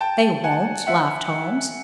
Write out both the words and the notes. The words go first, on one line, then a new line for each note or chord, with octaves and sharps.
"They won't," laughed Holmes.
G5 A5
F#5 G#5
E5 F#5